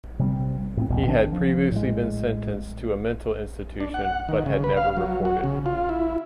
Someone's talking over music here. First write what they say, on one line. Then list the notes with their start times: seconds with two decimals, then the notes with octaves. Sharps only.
He had previously been sentenced to a mental institution but had never reported.
0.19 C3 G3 C4
0.77 A2 A#3 C4
0.90 A#1 E2 G2 B2
1.07 D#3 C4 D4
1.32 F3
1.72 A2 G#3
3.80 D4
3.94 F#5
4.29 D#3
4.46 C#3
4.64 B4
4.77 F5
4.97 F#3
5.25 F#4
5.44 C#3
5.66 F4
5.89 E4